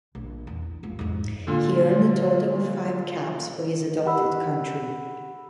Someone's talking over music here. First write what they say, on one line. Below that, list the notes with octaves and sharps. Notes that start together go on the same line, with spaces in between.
He earned a total of five caps for his adopted country.
A#1
E2
G#1 F4
F2 G#2
A#2 D3
G4 F#5 B5 E6